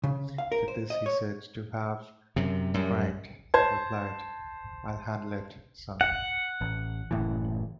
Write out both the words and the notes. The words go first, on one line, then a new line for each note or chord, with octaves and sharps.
To this, he is said to have grinned and replied, I'll handle it, son.
C#3
F5
A#4
C5
D#5
C#5
F#2 C3
F#2 G3
C5 A5 G#6
F#5
A1
F#1 A2 E3